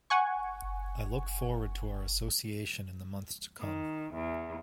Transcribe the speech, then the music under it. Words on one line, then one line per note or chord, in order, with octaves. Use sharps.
I look forward to our association in the months to come.
F#5 G#5 C#6
D#3
E2